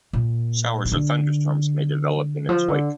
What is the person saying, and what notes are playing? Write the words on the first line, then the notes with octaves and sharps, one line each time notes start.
Showers or thunderstorms may develop in its wake.
A#2
D#3
D3
F3
D3